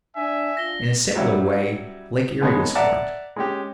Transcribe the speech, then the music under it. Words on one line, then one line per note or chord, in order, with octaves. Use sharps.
In a similar way Lake Erie was formed.
D4 E5 G#5
D4 F4 A#6 G7
F#3 G3 C#4 E4
D#2 G#3 B3 D#4 G#4 C#5
D5 E5 F#5 A5 A#5
G#3 C#4 G4